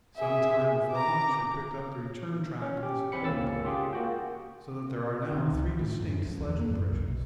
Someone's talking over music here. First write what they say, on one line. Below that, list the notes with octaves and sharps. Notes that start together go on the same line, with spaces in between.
Some time before lunch we picked up the return track of the supporting party, so that there are now three distinct sledge impressions.
G#4 E5
A#5 D6
C#4
G4
E2 C4 B5 C#7
C#2 A#3 C#4 E6 A6
F4 G4 G#4
A#3 F#4 G5
D#3
C#2
E3
A2
F#2
F2
E2
A#3
F#2
C2
B1